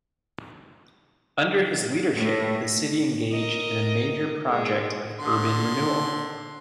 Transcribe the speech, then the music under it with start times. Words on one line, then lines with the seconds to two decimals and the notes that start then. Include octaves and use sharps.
Under his leadership, the city engaged in a major project of urban renewal.
2.18 A2
3.32 A#4 D#5
4.47 G#3
5.20 D3 C6